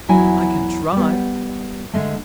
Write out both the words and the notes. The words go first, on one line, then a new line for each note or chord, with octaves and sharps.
"I can try."
E2 F#3 E4 C#5 G#5
G3 B3
D3 G#3 A3